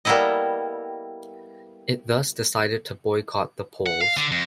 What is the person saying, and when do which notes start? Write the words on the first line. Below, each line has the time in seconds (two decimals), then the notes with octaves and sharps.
It thus decided to boycott the polls.
0.05 G3 A#3 B3 E4 A4 D#5
3.86 F#5
4.01 F5
4.17 D3
4.32 F2